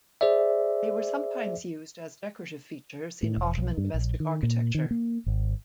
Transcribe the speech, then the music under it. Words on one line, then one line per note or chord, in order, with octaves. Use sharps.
They were sometimes used as decorative features in Ottoman domestic architecture.
G#4 C5 D5 E5
A2
E1
B1
G2
A#1
D#3
A#2
D#3
A#3
G#1